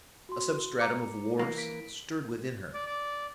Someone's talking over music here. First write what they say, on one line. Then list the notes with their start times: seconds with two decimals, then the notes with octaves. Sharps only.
A substratum of war stirred within her.
0.29 F#4 C6
0.79 A#5 D6 C#7
1.39 E3 A#3
1.58 B6 D7
2.74 D5
2.86 D5